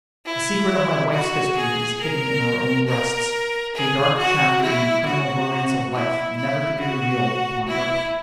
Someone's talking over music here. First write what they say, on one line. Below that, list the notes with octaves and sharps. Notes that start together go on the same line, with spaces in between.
The secret of my wife's history is hidden in our own breasts--a dark chapter in the criminal romance of life, never to be revealed upon earth.
E4
F#4
G#4
A#4
A#4
G#4
F#4
E4
F#4
E4
E4
F#4
E4